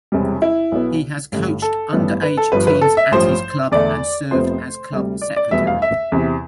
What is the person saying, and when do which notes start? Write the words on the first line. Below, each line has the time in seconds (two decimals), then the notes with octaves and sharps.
He has coached underage teams at his club and served as club secretary.
0.12 E1 E2 C3 G3
0.42 E4
0.72 B1 B2 B3
1.32 A1 G2 D3
1.62 A4
1.93 A1 G2 E3 G3 B3
2.22 B4
2.37 A4
2.52 G1 G2 F3 B4
2.67 B4
2.81 A4
2.97 E5
3.11 A1 G2 F3 C5
3.71 E2 D3 A3 D5
4.31 F1 F2 C3 F3 B3 C5
4.92 D2 C3 G3
5.22 D5
5.36 D5
5.51 F1 E2 B2 G3 B3 E5
5.67 F5
5.82 E5
6.12 E2 C3 E3